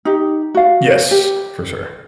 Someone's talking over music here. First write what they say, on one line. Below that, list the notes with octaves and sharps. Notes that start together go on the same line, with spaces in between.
Yes, for sure,
D#4 G4
F#4 F5
G4